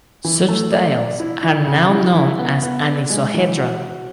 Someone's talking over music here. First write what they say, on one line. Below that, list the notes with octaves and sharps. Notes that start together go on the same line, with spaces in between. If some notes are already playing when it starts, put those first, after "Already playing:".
Such tiles are now known as anisohedral.
E3
A3
D5
D5
E4
E4
C#3
E4
E4
B3
B3
D4
G#3
E3
F#4
F#4